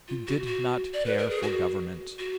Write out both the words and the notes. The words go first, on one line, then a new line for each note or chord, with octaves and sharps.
He did not care for government.
F4
F#4
F#4
D5
B4
A#4
G#4
F#4
F#4